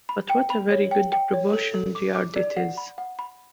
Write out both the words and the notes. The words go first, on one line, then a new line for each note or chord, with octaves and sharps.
But what a very good-proportioned yard it is!
B5
G5
B5
C#5
G5
G5
C#5
A4
A4
D6
D6
D5
F#5
B5
F#5
B5